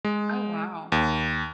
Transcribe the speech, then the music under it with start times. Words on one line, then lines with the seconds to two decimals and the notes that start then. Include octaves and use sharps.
Oh wow.
0.05 G#3
0.92 D#2